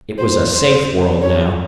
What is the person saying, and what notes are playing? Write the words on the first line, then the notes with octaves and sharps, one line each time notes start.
It was a safe world now.
C5
C5
C#5